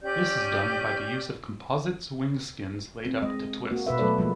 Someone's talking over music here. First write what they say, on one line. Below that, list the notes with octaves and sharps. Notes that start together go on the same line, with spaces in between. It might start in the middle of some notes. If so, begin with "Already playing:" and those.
This is done by the use of composites wing skins laid-up to twist.
C#4 G4 D5 G6
C4
G#3 D#5
A#3 F#4
B2 B4 E5
F#3 A3 A4 B4 D5
F3 G#3 A#3